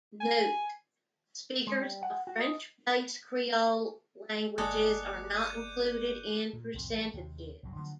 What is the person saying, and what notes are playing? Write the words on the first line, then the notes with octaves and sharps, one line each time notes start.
Note: speakers of French-based creole languages are not included in percentages.
G#5
G#3
G3
F#5
F#4
D#5
G1 G#3 A#3 A4 D5 D6 F#6 C#7
G6 G#6 D#7
A#2
C2 F2 A2
A1 G3
D#2 C3
C2 F#2 F#3
D3 F3 F#3 A#3